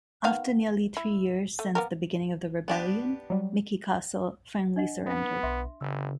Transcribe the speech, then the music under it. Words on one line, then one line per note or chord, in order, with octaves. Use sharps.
After nearly three years since the beginning of the rebellion, Miki castle finally surrendered.
D#3 B3 F5
E4
A3
A#3 B3 A#4
B3 D4 G4
F#3 G3
D4 D#5 F#5
B3
B1 E5 C6
G1 C#3 E6